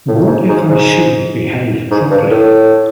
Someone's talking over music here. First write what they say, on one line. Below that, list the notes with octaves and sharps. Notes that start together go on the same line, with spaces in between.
What if I shouldn’t behave properly?
A2
G#2
G#2
G#2
G#2
G2
A2